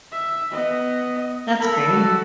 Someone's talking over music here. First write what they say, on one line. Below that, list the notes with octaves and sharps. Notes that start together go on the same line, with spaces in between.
That's great.
E5
B3 D#5
A4 A#4 B5
F#4